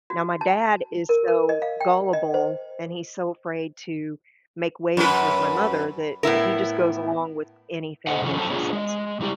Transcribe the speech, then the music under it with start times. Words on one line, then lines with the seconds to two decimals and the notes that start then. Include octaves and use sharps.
Now, my dad is so gullible and he's so afraid to make waves with my mother that he just goes along with anything that she says.
0.10 F#4
0.41 A5
1.09 A#4
1.28 A#4
1.49 D#5
1.62 F5
1.80 G5
2.13 D#5
2.34 C5
4.97 F#2 B4
6.23 A2 B3 E4 A#4
8.07 A4 C5 D#5 F#5
8.22 C3 D#3 F3 C#4 A4
8.37 F#3 C4 A4 C5 C#5 A5
8.50 C4 D4 F4 G#4 C#5
8.73 G#3
9.21 G3 E4 G4 D5